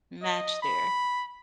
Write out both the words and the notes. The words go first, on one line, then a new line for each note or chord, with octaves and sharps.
match there.
D#5
B5